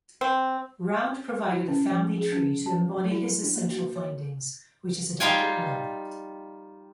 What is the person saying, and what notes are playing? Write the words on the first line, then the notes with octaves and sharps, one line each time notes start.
Round provided a family tree to embody his essential findings, which is adapted below.
C4
E4
C#4
F3
G#4
C#4
A5
F#3
E4
D4
A#3
F#4
C#5
G3 D#4 F4 F5 G5 G#5